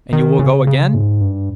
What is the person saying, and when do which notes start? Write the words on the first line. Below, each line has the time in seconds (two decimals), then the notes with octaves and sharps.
"And you will go again?"
0.13 D#3
0.39 C#3
0.67 C#3
0.94 G#2
1.21 G2